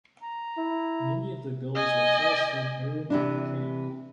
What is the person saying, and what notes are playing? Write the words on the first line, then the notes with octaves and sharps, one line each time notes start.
Many of the girls were force-fed heroin or cocaine.
A#5
E4
D#5 G#5
C3 E3 D4